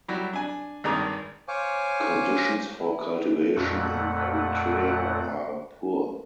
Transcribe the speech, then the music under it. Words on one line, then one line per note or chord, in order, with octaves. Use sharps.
Conditions for cultivation in Eritrea are poor.
F#3 G3 E4
D4 G#5
G#1 G2 D#3 G#4 A#5 D6
C5 C#5 F5 G#5 C#6 D6
E4
F2 A#2 A3 F#5